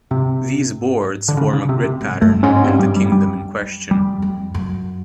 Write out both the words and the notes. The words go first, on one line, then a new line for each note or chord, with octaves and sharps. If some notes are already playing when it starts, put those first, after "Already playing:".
These boards form a grid pattern, and the kingdom in question.
G#2 C3
D3
C#3
C#3
C3
C3
G#2
G2 A3
G#2 C#4
C#4
G2 C4
G3
G3
G3
F#2
F2 G3
F2
F#2